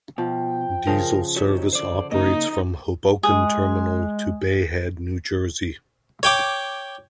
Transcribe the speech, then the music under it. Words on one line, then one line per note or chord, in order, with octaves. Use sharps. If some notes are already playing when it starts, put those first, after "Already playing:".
Diesel service operates from Hoboken Terminal to Bay Head, New Jersey.
B2 F3 G5
C#3 F3 A#4
D#4 F#4 G4 C#5
D3 C5 D5
C#3 A#3 D#4 D#5
G#3 G#4
C#5 G5 D6